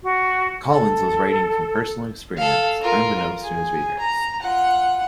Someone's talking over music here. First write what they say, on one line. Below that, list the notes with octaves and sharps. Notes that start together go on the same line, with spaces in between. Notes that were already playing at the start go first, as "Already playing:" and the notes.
Collins was writing from personal experience, unbeknownst to his readers.
F#4
A4
A4 F5
F4 A#4
G#4
A#5
F4 F#5